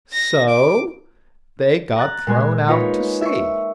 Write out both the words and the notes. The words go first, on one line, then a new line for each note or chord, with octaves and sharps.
So they got thrown out to sea.
A#6
D6
A#5 F#6 A6
A#2 G#3 G#5
A#3 D#4 F4 A#4 B4 C#5
E5 C#6